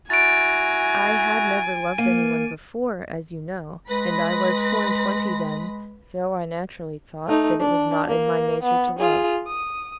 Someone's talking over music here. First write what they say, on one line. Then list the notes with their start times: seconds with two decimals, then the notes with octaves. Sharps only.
I had never loved any one before, as you know, and I was four-and-twenty then--so I naturally thought that it was not in my nature to love.
0.10 E4 F#4 G#5 A#5 A6 D7
1.98 A#3 D#7
3.90 G#3 B4 B5 A#6
7.28 A3 D#4
7.60 D4
8.08 A#3
8.63 B3
8.99 F4 G#4
9.47 D#6